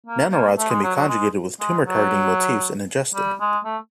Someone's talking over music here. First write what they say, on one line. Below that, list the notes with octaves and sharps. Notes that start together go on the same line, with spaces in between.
Nanorods can be conjugated with tumor targeting motifs and ingested.
A#3
A#3
A3
G#3
F#3
F#3
G#3
G#3
F#3
G3
G#3
A3